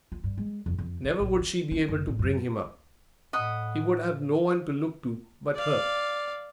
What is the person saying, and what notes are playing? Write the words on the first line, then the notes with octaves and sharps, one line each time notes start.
Never would she be able to bring him up--he would have no one to look to but her.
F4
G2
G#3
F2
F2
E4
A#1
E3
C#4
F#1
A1
F#2
A2 D#5 F#5 B5
D5 F5